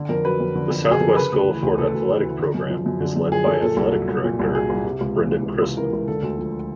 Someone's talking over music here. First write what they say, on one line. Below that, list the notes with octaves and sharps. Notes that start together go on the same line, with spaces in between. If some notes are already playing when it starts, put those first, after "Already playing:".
The Southwest Guilford Athletic program is led by athletic director Brindon Christman.
Already playing: D3
F2 A#4
F#3 B4
F2
D3
F2
F#3
G#4
F2 A4
A#4
C#3 B4
D2
E3
D2
C#3 A4
D2
E3
D2
D3
F#2
F3
F#2
D3
F#2
F3 G#4
F#2 A4
A#2 A4
C2
F#3
C2
A#2
C2
F#3 G#4
C2
C3
C#2
E3
C#2
C3
C#2
E3 A#4
C#2
D3 A4
D2
F3